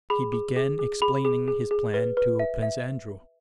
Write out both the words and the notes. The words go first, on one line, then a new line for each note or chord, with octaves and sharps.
He began explaining his plan to Prince Andrew.
G#4 B5
G#4
G#4
G#4
G#4 B5
G#4
G#4
G#4
B4
B4
E5
E5